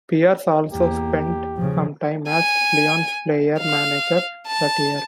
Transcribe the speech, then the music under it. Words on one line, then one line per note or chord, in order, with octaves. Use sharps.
Pierce also spent some time as Leon's player-manager that year.
E2 A#3 G4
C#3 F3
G#5
F5
A5